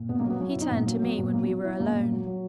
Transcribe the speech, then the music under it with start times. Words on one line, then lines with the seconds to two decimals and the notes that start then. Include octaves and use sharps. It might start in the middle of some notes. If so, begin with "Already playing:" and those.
He turned to me when we were alone.
Already playing: A#2
0.09 B2 B3
0.20 A#3
0.24 F#3
0.30 B3
0.40 F#3 C#4
0.50 E4
0.56 B2
0.61 D#4
0.71 A#2 B3
0.86 F#3 A#3
1.02 F#3 B3
1.18 A#2 B3
1.33 B2 A#3
1.44 F#4
1.48 F#3
1.64 F#3 E4
1.80 B2 A#3
1.95 A#2
2.11 F#3
2.26 F#3